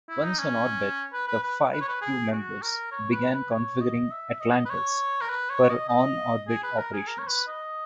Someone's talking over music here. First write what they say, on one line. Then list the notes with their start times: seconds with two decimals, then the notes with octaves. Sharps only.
Once on orbit, the five crew members began configuring "Atlantis" for on-orbit operations.
0.09 E4
0.24 D#4
0.39 C#4
1.13 B4
1.28 B4
1.43 B4
1.73 B4
1.81 C#5
1.88 B4
2.02 G#4
2.32 F#4
2.62 A#4
2.92 C#5
3.11 B4
3.31 B4
3.51 C#5
3.81 D#5
4.11 E5
4.40 D#5
4.66 B4
4.70 C#5
5.21 A#4
5.30 B4
5.50 C#5
5.69 D#5
5.89 D#5
6.48 G#4
6.63 B4
6.78 A#4
6.93 G#4
7.08 A#4
7.19 C#5
7.27 B4
7.48 D#5